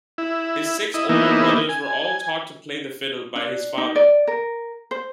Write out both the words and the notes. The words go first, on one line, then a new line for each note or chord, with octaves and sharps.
His six older brothers were all taught to play the fiddle by his father.
E4
E4 D#5
E3 A#3 B3 D#4 E4
G#5
D4
D#4
D5
A#4
C5